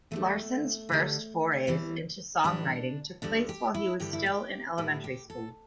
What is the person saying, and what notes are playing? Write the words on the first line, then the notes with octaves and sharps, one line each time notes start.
Larsen's first forays into songwriting took place while he was still in elementary school.
E2 E3 G3 A3
D2 D3 G3
E2 E3 G3
A2 E3 G3 D4
D2 D3 G3 D4
G4
E4
G2 D3 G3 G4
E4
G4
A2 G3 E4
G4
A4